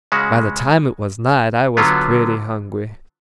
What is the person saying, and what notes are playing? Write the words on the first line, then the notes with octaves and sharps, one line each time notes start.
By the time it was night I was pretty hungry.
C#3 G#3 C#4 F#4
D3 F#3 B3 F4